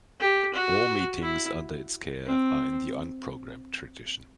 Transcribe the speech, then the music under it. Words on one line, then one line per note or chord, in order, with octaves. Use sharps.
All meetings under its care are in the unprogrammed tradition.
G4
F#4
E4
C4